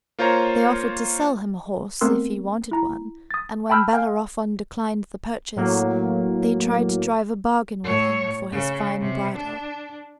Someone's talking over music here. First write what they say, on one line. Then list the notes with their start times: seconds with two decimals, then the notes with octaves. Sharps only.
They offered to sell him a horse, if he wanted one; and when Bellerophon declined the purchase, they tried to drive a bargain with him for his fine bridle.
0.19 A#3 F4 C5 C#5 A#5
2.01 A3 B3 C4 A#4 C6 E6
2.71 E4 A#5
3.31 D#6 A6
3.70 G5 A5 B5 E6 F6 G6
3.93 F5 G5 G#5 F6 G6
5.56 A2 F#3 A#3
7.84 A2 C#5
8.52 C#3
9.00 C3
9.36 D4